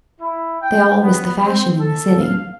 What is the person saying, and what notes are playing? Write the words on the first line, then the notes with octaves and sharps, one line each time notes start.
They all was the fashion in the city.
E4
G5
B3
C4
A4
F5